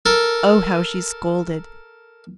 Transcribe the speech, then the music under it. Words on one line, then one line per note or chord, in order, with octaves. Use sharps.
Oh, how she scolded.
A4 A#4